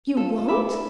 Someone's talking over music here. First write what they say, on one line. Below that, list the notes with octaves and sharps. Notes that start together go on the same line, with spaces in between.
"You won't!"
F4 A4
F4
E5 B5 D6
E4
D4